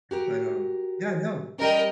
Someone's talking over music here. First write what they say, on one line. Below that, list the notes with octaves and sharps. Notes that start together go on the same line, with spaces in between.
but, um Yeah, no
F#4 G4 A#4
G3 C#4 A#4 D#5 G5